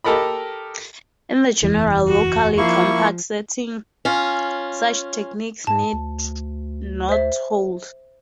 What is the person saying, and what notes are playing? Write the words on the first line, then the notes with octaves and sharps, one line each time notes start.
In the general locally compact setting, such techniques need not hold.
G4 A4 A#4 D#5 B5
F#1 E2 E3
F#4
F3 A#3 E4 C#6
C#4 F4
G#2 A5
D2
C5 E5